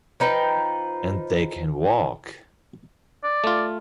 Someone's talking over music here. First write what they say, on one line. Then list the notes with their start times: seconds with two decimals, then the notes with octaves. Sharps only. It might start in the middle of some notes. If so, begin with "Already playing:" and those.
And they can walk!
0.20 F3 D#4 B4 G5
3.24 D5
3.44 A3 F4